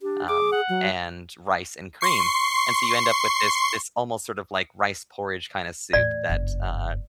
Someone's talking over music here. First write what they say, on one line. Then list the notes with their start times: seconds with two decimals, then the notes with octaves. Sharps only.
um, and rice and cream. And so you end up with this this almost sort of like rice porridge kinda soup that, uh,
0.02 D4 G4
0.29 G#4 D6
0.52 F#5
0.69 F#3
2.01 C6 C#6 C7
5.93 E2 A2 D5
6.29 F#1 G2